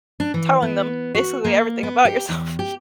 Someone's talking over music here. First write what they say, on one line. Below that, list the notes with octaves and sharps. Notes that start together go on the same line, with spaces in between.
telling them basically everything about yourself.
D4
E3
B3
F#4
A#3
B3
G4
E2
G4